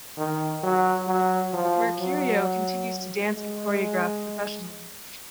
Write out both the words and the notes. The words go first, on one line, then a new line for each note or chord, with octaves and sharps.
Mercurio continues to dance and choreograph professionally.
D#3
F#3
F#3
F3
F#3
G#3